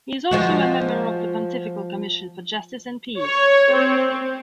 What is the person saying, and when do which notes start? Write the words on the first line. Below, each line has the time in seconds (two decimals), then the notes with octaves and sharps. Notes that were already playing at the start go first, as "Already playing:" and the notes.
He is also a member of the Pontifical Commission for Justice and Peace.
0.31 F3 G#3 F#4
3.20 C#5
3.74 C4